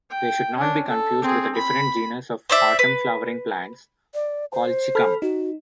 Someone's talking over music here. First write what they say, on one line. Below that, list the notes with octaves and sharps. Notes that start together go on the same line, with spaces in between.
They should not be confused with a different genus of autumn-flowering plants, "Colchicum".
G5
C#4 D4
A4
C4 G#4
B5
C5 D5 E5
B4
D5
C5
A4 B5 F6
D#4 F#4